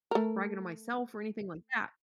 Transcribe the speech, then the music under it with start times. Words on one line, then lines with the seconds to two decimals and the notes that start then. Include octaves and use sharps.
bragging on myself or anything like that,
0.11 A3 A#4